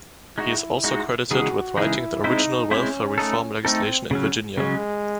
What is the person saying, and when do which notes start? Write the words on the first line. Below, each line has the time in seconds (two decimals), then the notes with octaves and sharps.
He is also credited with writing the original welfare reform legislation in Virginia.
0.37 G#3 D#4 E4 F#4
0.84 G#3 D#4 F#4
1.31 C#3 E3 G#3 D#4 F#4 G#4
1.77 C#3 E3 G#3 D#4 E4 G#4
2.24 G#3 C4 D#4 E4 C5
2.71 G#3 C4 C#4 E4 C5
3.18 A3 D#4 A4
3.64 A3 C4 D#4 A4
4.11 C#3 F#3 C#4
4.57 C#3 F#3 G#3 C#4